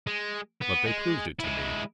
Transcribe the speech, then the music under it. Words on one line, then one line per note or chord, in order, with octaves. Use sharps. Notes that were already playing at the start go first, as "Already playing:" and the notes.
But they proved it to me.
G#3
B3
G#3
G#3 E4